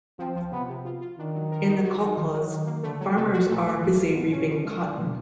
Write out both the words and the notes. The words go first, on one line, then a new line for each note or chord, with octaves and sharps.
In the kolkhoz, farmers are busy reaping cotton.
F3 C4
F3
C3 B3
C3
F4
F4
D#3 D4
F#3
A#4
D#4
F#4
D#4
D#3
F#3
D#3
A#3
D3 A3
F#3
C3 A3
F#4
A#2 A3
A3
G#2 A3
F4
B2
C#4
B2
G#3
D4
B2